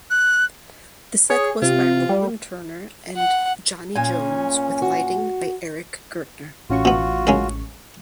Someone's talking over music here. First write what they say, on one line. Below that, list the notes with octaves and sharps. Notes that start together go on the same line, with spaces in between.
The set was by Roland Turner and Johnnie Jones with lighting by Eric Gertner.
F#6
G#4 C#5
C3 F4
G3
F#5
A#2 C#4 G#5
F#4
A1 C#4 F4 F#4 C#6
B2 B3
C#3 G#3 A#4